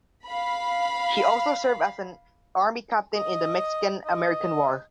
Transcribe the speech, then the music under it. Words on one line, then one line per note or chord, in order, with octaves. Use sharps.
He also served as an army Captain in the Mexican-American War.
F5 B5
D#5
D#5